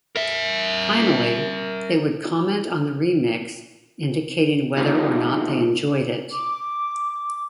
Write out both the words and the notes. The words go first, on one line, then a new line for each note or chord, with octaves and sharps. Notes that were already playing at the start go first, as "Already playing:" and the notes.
Finally, they would comment on the remix, indicating whether or not they enjoyed it.
A#4 E5
C3 A#3 D#4 F4 G4
D6